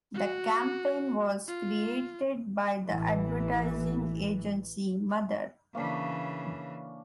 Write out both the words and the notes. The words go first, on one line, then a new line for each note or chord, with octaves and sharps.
The campaign was created by the advertising agency Mother.
F#4
F4
A1 E3
C#3 E3 A#3 C#4 D4